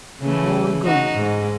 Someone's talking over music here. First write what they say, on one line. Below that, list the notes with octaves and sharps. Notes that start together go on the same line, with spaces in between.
My God!
C#3 E3 A3
D#4 F#4
G#2